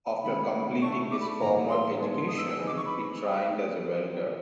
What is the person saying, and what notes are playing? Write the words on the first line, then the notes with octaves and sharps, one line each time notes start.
After completing his formal education, he trained as a welder.
D#3 G#3 C#4 B5
A3 D4 G4 C#6
D6
B5
A2 E3 G3 A#3 A#5
C6
G#3 B3 D4
D#6
E6
E6
C4 D#4 G#4 B4 D#5
D6
C#6
B5